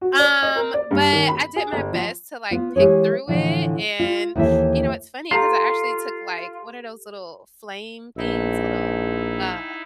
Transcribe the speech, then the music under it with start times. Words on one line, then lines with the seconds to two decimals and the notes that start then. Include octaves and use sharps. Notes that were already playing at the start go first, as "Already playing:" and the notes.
Um, but I did my best to, like, pick through it, and, you know, it's funny 'cause I actually took, like, what are those little flame things, little, uh,
0.01 F#4
0.19 D5
0.43 D#5
0.56 A#4
0.74 D5
0.91 G2
1.13 D#3
1.29 B5
1.56 G#4
1.72 G1
1.93 F3
2.51 B3 F4
2.76 E3 G#3 G4 G#4 C#5
3.27 A2 D3 E3 F3
3.99 F4
4.36 D#2 E3 E4 A4 E5
5.31 F4 G4 A4 A#5
8.17 A#1 D#4 E4